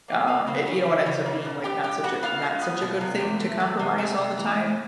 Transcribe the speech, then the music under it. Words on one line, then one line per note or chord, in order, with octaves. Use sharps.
um, it you know, it ends up being, like, not such a not such a good thing to compromise all the time.
A#3
A#3 B3 B4
C#3 C4 C5
C#3 C#4 C#5
F3
C#3 C#4 C#5
A#3
B2
B2 G4 G5
G#3 G4 G5
B3 F#4 F#5
B3 F4 F5
G#3
B3
B2
C3
E2
A3
E2
C3
A3
C3
E3